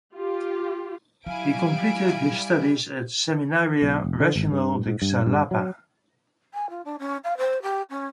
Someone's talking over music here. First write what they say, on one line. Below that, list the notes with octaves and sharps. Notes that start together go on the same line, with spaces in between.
He completed his studies at Seminario Regional de Xalapa.
F4 G4
F#3 G3 E4 F5 G#5 D7
B1
F1
D3
G#1
G2
G#2
G2
G2
F#3
G#5
F4
D4
C#4
F5
C5
G4
C#4